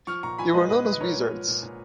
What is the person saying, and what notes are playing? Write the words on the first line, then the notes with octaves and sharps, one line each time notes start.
They were known as "wizards".
F3 C#6 F6
A#2 A#5 C#6
F3 G#5 B5
G#3 B4 D#5
A#2 B4 D#5
G#3 B4
D#5
A#2 A#4 C#5
G#3
F3
A#2
A#2